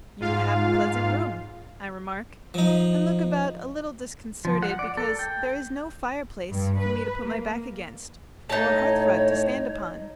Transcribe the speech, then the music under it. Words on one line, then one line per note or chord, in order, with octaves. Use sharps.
"You have a pleasant room," I remark, and look about a little disconcerted because there is no fireplace for me to put my back against, or hearthrug to stand upon.
G#2 F4 F5
F3 D#4
F3
F#5
D5
A4
G5
G2
B4
A#3
A2 D#4 C#5 A5